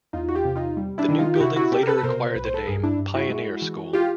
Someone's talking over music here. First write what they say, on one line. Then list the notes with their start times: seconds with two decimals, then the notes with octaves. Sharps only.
The new building later acquired the name "Pioneer" School.
0.13 E2 D#4 F4
0.29 F#4
0.35 F4 G4
0.45 C3
0.55 D#4 F4
0.77 G3
0.98 D4 E4
1.09 D#3 E4
1.19 D#4 F4
1.35 G4
1.40 C3 E4 F#4
1.56 E4 F#4
1.72 C3 G4 A4
1.83 A#4
1.87 A4 B4
1.98 B4
2.03 B2 A#4 C5
2.36 B1 B4
2.45 C5
2.54 A4 B4
2.67 G2 G#4 A#4
2.83 D4 E4
2.98 G2
3.14 E4 F#4
3.30 G#3
3.62 E3
3.93 F4 G4